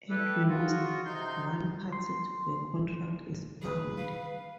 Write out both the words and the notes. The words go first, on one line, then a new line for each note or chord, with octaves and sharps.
At most, one party to the contract is bound.
E4 G4 A4 B4
C#3 F4 F#4
C3 D#4 C6 G6
C6
G#4 B4
F5